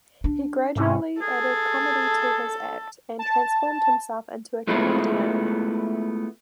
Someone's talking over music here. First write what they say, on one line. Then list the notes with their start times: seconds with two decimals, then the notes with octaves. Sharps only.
He gradually added comedy to his act, and transformed himself into a comedian.
0.24 D4
0.76 G#2 C3 C#4
1.22 G#4 A4
3.19 A5
4.67 G#3 A3 B3 E4 F4 G#4